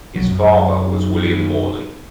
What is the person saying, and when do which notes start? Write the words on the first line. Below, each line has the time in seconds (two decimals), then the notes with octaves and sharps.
His father was William Morley.
0.16 B1 F#3
0.30 F#2
0.91 B1